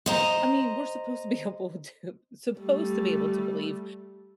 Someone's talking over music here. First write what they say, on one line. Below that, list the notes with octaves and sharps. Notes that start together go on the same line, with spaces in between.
I mean, we're supposed to be able to, supposed to be able to believe
C5 D#5 A#5
G3 A3